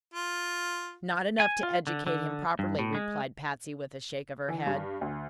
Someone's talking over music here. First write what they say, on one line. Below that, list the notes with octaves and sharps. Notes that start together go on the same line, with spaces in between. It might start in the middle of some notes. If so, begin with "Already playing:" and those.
"Not enough to educate him properly," replied Patsy, with a shake of her head.
F4
G#5
F4
D3
D3
G2
A2
G#3
E3
G2
D2